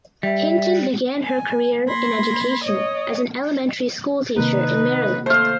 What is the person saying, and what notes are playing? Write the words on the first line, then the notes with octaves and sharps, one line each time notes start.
Hinton began her career in education as an elementary schoolteacher in Maryland.
G3 E5
G#5
A#3 B5 C6 G#6 A#6
C#5 D#5
C3 D#3 A#3 D#4 B4
A3 C5 F5